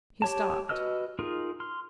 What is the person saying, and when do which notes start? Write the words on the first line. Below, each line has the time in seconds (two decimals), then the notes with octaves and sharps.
He stopped.
0.22 G4 C#5 A5
0.69 F#4 B4 D#5 E6 F6
1.19 D#4 F4 G#4 A#4
1.60 C6 F6